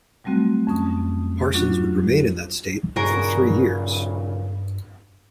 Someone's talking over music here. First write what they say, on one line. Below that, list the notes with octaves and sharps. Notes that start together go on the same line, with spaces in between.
Parsons would remain in that state for three years.
F#3 G3 A3 C4 F#4
F2 C#4 D#6
F#3 C#4 D4 F4 F#4
B1 G2 A#2 C#3 F#4 G#4 A#4